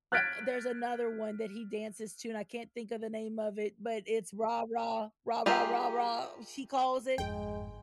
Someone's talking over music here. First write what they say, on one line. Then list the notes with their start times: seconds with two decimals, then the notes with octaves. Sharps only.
the there's another one that he dances to and I can't think of the name of it, but it's "Rah, rah, rah, rah, rah, rah," she calls it.
0.12 F6 F#6 G#6 A6 B6 D7
5.46 F4 G4 G#4 A#4 E5
7.18 G1 F2 G#2 G#3 G5